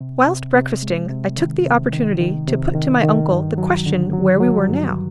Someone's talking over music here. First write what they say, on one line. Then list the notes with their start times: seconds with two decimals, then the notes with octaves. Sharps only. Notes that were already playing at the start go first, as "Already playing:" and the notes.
Whilst breakfasting I took the opportunity to put to my uncle the question where we were now.
0.01 C3
0.27 C3
0.55 C3
0.83 G#3
1.10 C3
1.38 D#3
1.65 C3
1.93 D#3
2.21 D#3
2.48 C3
2.75 D#3
3.03 D#3
3.31 G2
3.58 F#3
3.86 D3
4.13 F#3
4.40 F#3
4.69 G2